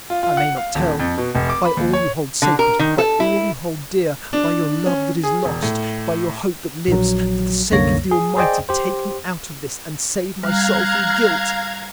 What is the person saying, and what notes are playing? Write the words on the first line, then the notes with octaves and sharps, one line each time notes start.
I may not tell. By all you hold sacred--by all you hold dear--by your love that is lost--by your hope that lives--for the sake of the Almighty, take me out of this and save my soul from guilt!
F4
F4
F#5
F5
D#1
F2
B2
F1
D6
B5
D#2
C#5
D3
A#4
D#3
A4
E4
D4
C#4
G#4
E1
A2
A#1 F#3
C2 F#2 D3 A#3 C#5 A#6
G#4
G#4 C5 D5 D#5 G5
G4 C5
G3 F5 A#5 F6 F#6 G#6